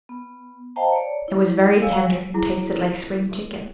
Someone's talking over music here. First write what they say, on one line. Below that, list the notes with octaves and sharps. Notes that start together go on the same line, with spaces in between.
It was very tender and tasted like spring chicken.
B3
C5 D#5 F5 G5 A5 A#5
C#5 D5
E4
G3 C#5 F5 G#5 E6
E4 G#4